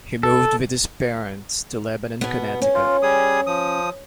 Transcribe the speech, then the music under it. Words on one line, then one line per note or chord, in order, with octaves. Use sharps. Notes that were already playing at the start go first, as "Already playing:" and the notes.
He moved with his parents to Lebanon, Connecticut.
A4
B2 B3
C#4
F4
G3 G#4 D#6
F3 D#6